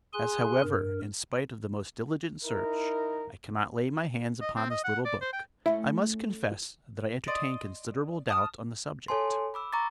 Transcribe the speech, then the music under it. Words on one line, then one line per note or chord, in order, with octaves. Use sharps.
As however, in spite of the most diligent search, I cannot lay my hands upon this little book, I must confess that I entertain considerable doubt on the subject.
G#4 G#5 C6 F#6
G2 A#4
D#4 E4 A#4
D#5
C4
D#5
F#5
D5
C5
G5
A3 C#4 E4
D5 D#5 C6
A5 D#6 F6
A4 C#5 G#5 A5 C6
B5 D6 E6
A#5 C#6 D6 A6